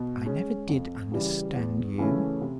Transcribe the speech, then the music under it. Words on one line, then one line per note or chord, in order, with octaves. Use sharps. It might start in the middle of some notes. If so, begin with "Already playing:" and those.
"I never did understand you."
Already playing: B2
G#3 C#4
F2
C#3 E3 G3
E2
C#3 E3 A3 C#4
C3